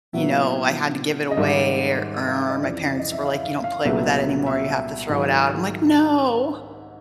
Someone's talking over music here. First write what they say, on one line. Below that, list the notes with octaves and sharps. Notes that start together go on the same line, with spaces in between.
you know, I had to give it away or or my parents were like, "You don't play with that anymore, you have to throw it out," I'm like, "No."
A#2 F#3 B3 E4 E5
D#5
G#2 D#3 G3 E5
F5
E5
D#5
F2 C#3 E3 D5
D#5
E5
F5
F5
F5
C2 A#2 F#3 B3 E5
E5
G#2 D#3 F#3